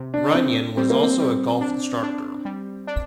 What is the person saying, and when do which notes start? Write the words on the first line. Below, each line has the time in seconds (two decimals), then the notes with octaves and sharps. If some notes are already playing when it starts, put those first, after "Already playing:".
Runyan was also a golf instructor.
Already playing: C3
0.14 D4
0.34 C4 D4
0.77 G3 C4
0.90 A#3
1.03 C4
1.20 G3
1.61 D4
2.03 D4
2.45 G3
2.87 D4